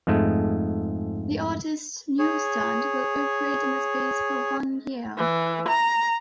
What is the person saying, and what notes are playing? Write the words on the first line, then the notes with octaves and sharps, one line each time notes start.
The Artist Newsstand will operate in the space for one year.
F2 G#2 G#3 A3
G#4 C#5
E3
A#5